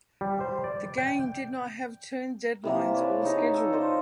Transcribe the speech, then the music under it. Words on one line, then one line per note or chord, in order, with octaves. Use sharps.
The game did not have turn deadlines or schedule.
G3
C5
D5
G5
C3 E3 A#3
A5
B4 C#5 D5
D#4 G#4 F5
A4
F4 C5 D5 D#5